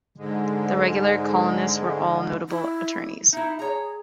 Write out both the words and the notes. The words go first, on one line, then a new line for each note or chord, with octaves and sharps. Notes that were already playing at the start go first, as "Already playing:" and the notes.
The regular columnists were all notable attorneys.
G#2 D3 G#3
E4
D#4 E4 E5
G#4 C#5 A#5